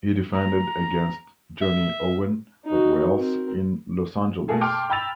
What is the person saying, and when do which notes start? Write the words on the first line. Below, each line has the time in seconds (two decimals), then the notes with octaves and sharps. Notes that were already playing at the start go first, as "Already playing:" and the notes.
He defended against Johnny Owen of Wales in Los Angeles.
0.33 A#5
1.61 E5
2.65 D#4 F#4
3.14 C4 A#4
4.48 B2 A3 A#3 G#4 A4
4.61 G5 A5 C6 D6 F6
4.90 G5 A#5 B5 E6 A6 F7